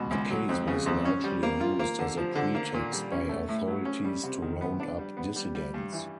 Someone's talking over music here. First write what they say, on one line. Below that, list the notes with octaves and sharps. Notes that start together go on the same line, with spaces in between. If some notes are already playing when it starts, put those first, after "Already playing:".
The case was largely used as a pretext by authorities to round up dissidents.
Already playing: C#2 B2
C#2
F#3
F2
C#3
F2
C#4
G3
A#3
F4
A#3
D3
F3
D3
A#3
A#2
G3
C#4
A3
A2
F#3
C#4
G3
C3
D#3
B3
D4
G3
B3
G3
G3
G2
E3